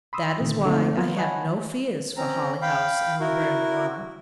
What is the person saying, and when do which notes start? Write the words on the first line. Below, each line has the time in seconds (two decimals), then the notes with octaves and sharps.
That is why I have no fears for Holly House and Laburnum Lodge.
0.13 B5 C6 D#6 E6
0.40 A#2 D3 D#3 A3
0.66 D3 A3 A#3 C4 D4 D#4
0.97 F3 A#3 B3 F4
1.17 C#5 D#5 F#5 G#5 A5 B5
2.17 C4 C#4 A#5
2.62 F5 G5 B5
3.20 E4 F#4 A#4